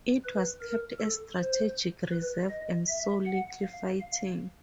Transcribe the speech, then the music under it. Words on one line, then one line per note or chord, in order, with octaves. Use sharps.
It was kept as a strategic reserve and saw little fighting.
B4
A#4
A4
C5
B4
D#5
E5
F#5
F5
F5